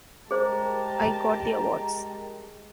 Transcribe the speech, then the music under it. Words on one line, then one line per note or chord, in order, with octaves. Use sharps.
I got the awards.
G3 G#3 G4 G#4 A#4 C5 A5 A#5